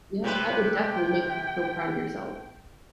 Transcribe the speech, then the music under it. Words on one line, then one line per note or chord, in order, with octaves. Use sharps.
Yeah, that would definitely make you feel proud of yourself.
C3 B4 G5